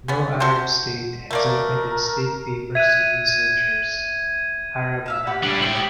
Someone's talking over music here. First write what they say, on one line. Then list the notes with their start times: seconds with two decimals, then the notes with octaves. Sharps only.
No Arab state has opened its state papers to researchers, Arab or non-Arab.
0.08 B3 C#4
0.40 F#4 A4 C5
1.31 A3 A#3 A#4 D5
2.75 E5 F#6 G#6 D#7
5.06 E5 F5 A5
5.27 F#4 G4 B4
5.43 G3 D4
5.62 E4 C5 G5
5.76 G4